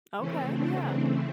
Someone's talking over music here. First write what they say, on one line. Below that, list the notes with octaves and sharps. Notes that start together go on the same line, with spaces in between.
Okay, yeah.
C#3 E3 A3 C4 C#4
D4
D4